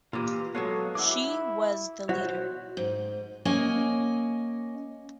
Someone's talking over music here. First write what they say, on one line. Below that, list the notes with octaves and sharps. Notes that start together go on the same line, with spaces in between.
She was the leader.
A#2 E3 F4 G4
F#3 G#3 B3 A4 C#5 F5
E4 G#4 F#5 D6 E6
B2 F#4 C5 C#5
G#2
A#3 C#4 D#5 G#5